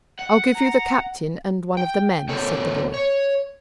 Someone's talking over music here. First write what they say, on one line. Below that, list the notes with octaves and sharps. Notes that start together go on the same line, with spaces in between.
"I'll give you the captain and one of the men," said the boy.
F#5
A#5
G5
B3 G4 A4 A#4 C5 C#5
C#5